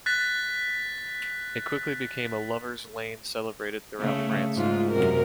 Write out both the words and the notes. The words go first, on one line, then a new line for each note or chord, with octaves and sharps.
It quickly became a lover's lane celebrated throughout France.
F#6 A6 B6
C#3 A3
G#2 F4
F#2 C3 A#4